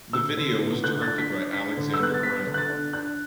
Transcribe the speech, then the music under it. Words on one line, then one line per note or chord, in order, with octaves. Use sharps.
The video was directed by Alexander Brown.
D3 E6
D3
B3
D3 F#6
A6
D4
B6
D4
D4 B6
D3
E6
B3 F#6
A6
B3 B6
D3
F#6
A6
D4
D4 F#6